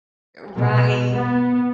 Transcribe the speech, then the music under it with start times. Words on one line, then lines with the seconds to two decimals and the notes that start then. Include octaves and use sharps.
Eh, right.
0.56 B2
1.14 B3